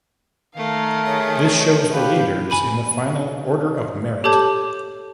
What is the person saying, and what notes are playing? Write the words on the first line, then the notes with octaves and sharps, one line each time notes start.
This shows the leaders in the final Order of Merit.
D#3 A3 A#4 F5
G#4 C#5
G4 B4 F5
G#5 B5 D#7
G4 A4 C#5 A5 D6 G6